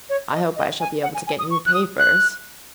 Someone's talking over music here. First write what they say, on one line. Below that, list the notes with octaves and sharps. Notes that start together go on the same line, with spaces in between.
I hope I shall be able to get new papers.'
C#5
D#5
D#5
G#5
F#5
G#5
G#5
D#6
C#6
F#6
D#6
F#6